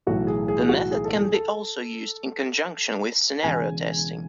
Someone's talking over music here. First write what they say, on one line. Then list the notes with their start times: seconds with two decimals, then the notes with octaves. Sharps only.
The method can also be used in conjunction with scenario testing.
0.07 B1 A2 E3 F#4
0.27 G#4
0.48 G#4
0.69 F#4
0.91 G#4
1.05 A4
1.18 G#4
1.33 A4
3.43 E1 E2 C#3 G#5